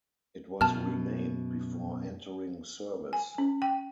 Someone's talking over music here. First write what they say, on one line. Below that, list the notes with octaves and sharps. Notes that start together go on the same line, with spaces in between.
It was renamed before entering service.
F#2 B2 A5 F6
G#5
C#4
G5